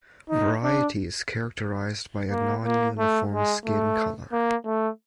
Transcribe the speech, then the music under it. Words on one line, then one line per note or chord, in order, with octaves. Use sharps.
Variety is characterized by a non-uniform skin color.
D#4
D4
A#3
A#3
A3
G#3
A3
A#3
A3